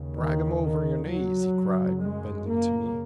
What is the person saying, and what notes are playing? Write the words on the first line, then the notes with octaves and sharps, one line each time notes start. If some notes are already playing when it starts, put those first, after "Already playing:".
"Drag 'em over your knees," he cried, bending to me.
Already playing: D#2 C#3
D#3
D#3
F#3
F#2 C#3
G#3
A#3